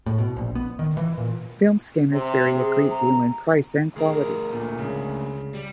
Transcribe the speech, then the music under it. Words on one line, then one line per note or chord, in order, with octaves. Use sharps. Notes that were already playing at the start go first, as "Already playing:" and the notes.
Film scanners vary a great deal in price and quality.
A2
B2
A#1
B3
D#3
E3
A#2
C3
C3 G#4
A#5
D2 G#4 A#4
A#2 A3
C#2 C#3
G3